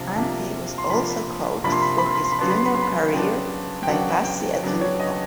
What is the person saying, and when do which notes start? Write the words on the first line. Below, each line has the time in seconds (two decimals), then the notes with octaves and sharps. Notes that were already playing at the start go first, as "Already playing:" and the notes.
Antti was also coached through his junior career by Pasi at Lukko.
Already playing: C3 F3 A#3 D4
0.16 C3 F3 A#3 D4
0.78 C6
0.89 C3 F3 A#3 D4 B5
1.64 C3 F3 A#3 D4 B5
1.72 C6
1.82 B5
1.90 C6
1.98 B5
2.06 C6
2.15 B5
2.24 C6
2.32 B5
2.39 C#3 F#3 B3 D4 C6
2.50 B5
2.57 C6
2.65 B5
2.75 C6
2.82 B5
3.13 C#3 F#3 B3 D4 G5
3.83 G5
3.87 C#3 F#3 B3 D4 F#5
4.25 G5
4.63 C#3 F#3 B3 D4
4.81 C#5
5.00 D#5